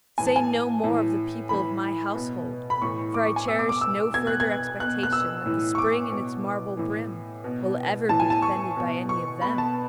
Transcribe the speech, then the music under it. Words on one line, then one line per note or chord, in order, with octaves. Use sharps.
Say no more of the people of my household; for I cherish no further expectation that the spring and its marble brim will ever be defended by any of them.
A2 E3 G#5
A5
G#5
A2 E3
A2 E3 B5
B2
B5
A2 E3 C#6
D6
C#6
G#5
B2 E6
D6
D6
E6
B2 G#6
F#6
G#6
B2 F#6
F#6
E6
A2 E3
C#6
D6
B2
A2 E3
B2
A2 E3 A5
G#5
A5
C#6
B2
C#6
B2 B5
A5